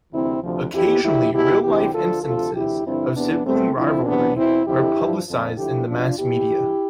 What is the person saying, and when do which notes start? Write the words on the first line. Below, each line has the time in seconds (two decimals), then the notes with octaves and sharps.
Occasionally real life instances of sibling rivalry are publicized in the mass media.
0.12 D2 C3 E3 C4 E4
0.43 D2 C3 F3
0.73 F2 E3 E4 G4
1.03 D2 D3 F3 E4 G4
1.33 E2 B2 E4 G4
1.64 D2 C3 E3 E4 G4
1.94 D2 D3 F3 F4 A4
2.24 D2 C3 F3 F4 A4
2.55 D2 C3 E3 E4 G4
2.85 G2 D3 F3 C4 E4
3.15 E2 C3 E3 B3 D4
3.45 E2 B2 A3 C4
3.75 D2 D3 F3 C4 E4
4.05 E2 C3 E3 B3 D4
4.36 E2 B2 C4 E4
4.66 F2 D3 F3 E4 G4
4.96 G2 F3
5.27 F2 D3 F3
5.57 D2 D3 F3 E4 G4
5.87 E2 C3 F3 D4 F4
6.17 E2 B2 E4 G4
6.48 G2 E3